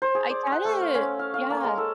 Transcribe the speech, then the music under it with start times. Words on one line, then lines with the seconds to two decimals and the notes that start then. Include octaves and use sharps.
I get it. Yeah.
0.02 C5
0.15 G#4
0.30 D5
0.52 F#5
0.65 A3
0.81 F5
0.95 C#4
1.19 F5
1.34 F5
1.50 A#3
1.64 G#3
1.78 A4